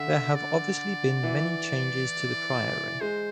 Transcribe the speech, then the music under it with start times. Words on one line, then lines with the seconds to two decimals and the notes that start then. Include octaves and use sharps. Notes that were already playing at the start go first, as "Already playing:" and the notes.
There have obviously been many changes to the priory.
Already playing: D3 E5
0.35 D5
1.23 E3
3.01 G#3 C5